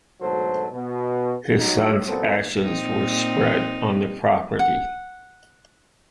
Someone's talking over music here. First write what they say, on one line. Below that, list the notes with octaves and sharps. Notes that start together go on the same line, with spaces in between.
His son's ashes were spread on the property.
D2 G#2 B2 F#3 A4 C5
B2
F#3 D#4
A1 F#2 A#2 B3 C4 A4
A#2 C4 D#4
F#5